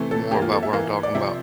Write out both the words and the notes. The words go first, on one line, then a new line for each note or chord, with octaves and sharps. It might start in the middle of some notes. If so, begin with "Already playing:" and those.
more about what I'm talking 'bout,
Already playing: C3 E3 A3 C4
A4
E3 A#3 G4
F4
A4
E5
E3 A#3 F5
D5
C3 F3 C4 E5